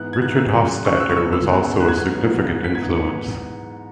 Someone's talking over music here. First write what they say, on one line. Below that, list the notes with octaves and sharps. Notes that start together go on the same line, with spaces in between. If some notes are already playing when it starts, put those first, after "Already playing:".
Richard Hofstadter was also a significant influence.
Already playing: G#2 E3 B3 F#6
G#6
G#2 E3 B3 F#6
E6
F#2 C#3 F#3
F#2 C#3 F#3 C#6
F#6
E6
C#6
C#2 B2 F#3 B3 E6
E6
C#2 B2 F#3 B3
G#2 F#3 B3 F#6
G#6
F#6
G#2 F#3 B3
G#2 E3 B3
B6
G#2 E3 B3 G#6
C#7